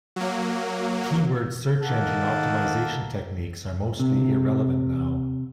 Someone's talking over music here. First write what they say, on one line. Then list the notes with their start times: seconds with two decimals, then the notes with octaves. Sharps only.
Keyword search engine optimization techniques are mostly irrelevant now.
0.16 F#3 A#3
1.82 D#3 A#3 A4 F#5
4.00 C3